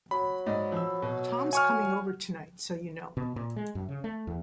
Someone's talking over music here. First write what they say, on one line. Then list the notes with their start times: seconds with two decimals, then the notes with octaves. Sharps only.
Tom's coming over tonight, so you know.
0.11 F#3 B5
0.46 G#2 D5 D#5
0.72 F3 E6
1.02 B2
1.53 F#5 G#5 C#6 F6
3.17 B2
3.36 A#2
3.56 G#3
3.75 F#2
3.89 C#3
4.04 A3
4.27 E2